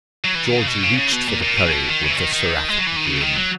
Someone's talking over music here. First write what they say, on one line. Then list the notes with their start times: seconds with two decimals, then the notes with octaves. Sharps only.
Georgie reached for the curry, with a seraphic grin.
0.24 F#3
0.35 E3
0.45 D#3
0.58 C#3
0.67 B2
0.83 C#3
0.98 C#3
1.13 B2
1.28 A#2
1.42 A#2
1.57 B2
1.66 C#3
1.72 B2
1.88 D#3
2.03 C#3
2.10 E3
2.17 D#3
2.33 D#3
2.68 G#3
2.78 F#3
2.87 E3
2.96 D#3
3.07 C#3
3.21 D#3
3.36 F#3